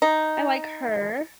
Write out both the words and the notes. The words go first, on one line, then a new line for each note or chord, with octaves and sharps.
I like her.
D#4